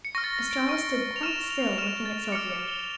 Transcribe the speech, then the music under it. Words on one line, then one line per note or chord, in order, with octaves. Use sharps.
Estralla stood quite still looking at Sylvia.
C#7
C#6 F6 A#6
A6
A#6
D7
C#6 F6
F7
C#6 F6 E7
F7
F7
C#6 F6 E7
A6
D7
D6 F6 C#7
F7
G7
F7